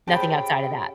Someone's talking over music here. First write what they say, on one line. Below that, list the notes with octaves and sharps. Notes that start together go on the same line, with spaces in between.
nothing outside of that.
C#3 G4 C5 G5 A5 B5